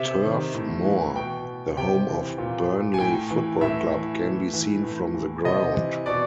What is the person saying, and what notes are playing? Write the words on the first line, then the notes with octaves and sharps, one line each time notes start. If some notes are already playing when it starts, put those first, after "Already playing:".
Turf Moor, the home of Burnley Football Club, can be seen from the ground.
Already playing: C3 E5
D#3
A2
E3
B2 G5
C3 G5
E3
A#2
G#5
A2 G5
E3
A2 E5
E3
A2
E3
A2
E3
C3 D#5
E3
B2 D5